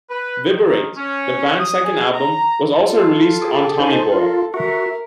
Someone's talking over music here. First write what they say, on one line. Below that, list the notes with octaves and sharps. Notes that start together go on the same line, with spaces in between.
"Viberate", the band's second album, was also released on Tommy Boy.
B4
D#3
C#4
D#6
G#4
A#5
F4 A4
G4 G#4
D#4 C5 G#5
F4 A#4
F#4 A#4 E5